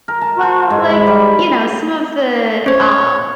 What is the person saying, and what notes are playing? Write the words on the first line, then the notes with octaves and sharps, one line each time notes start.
Well, like, you know, some of the, um,
A#4
A5
C5
G#2
B5
G3
C#4 C5 C#5